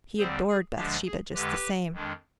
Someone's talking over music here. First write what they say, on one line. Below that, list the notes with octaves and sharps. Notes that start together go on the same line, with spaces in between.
He adored Bathsheba just the same.
D#2 D3 G3 C4 G#4 C5
G#4
D2 D3 F3 G#3 D4 G4
G#4
F2 D3 G#3 G4 B4
F2 D#3 G#3 D4